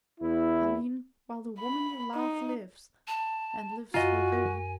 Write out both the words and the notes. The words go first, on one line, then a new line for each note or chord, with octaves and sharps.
I mean while the woman you love lives, and lives for you.
E2 E4
B5
D#4
A5
F#2 F4 F#4 D#5 G#5
A#4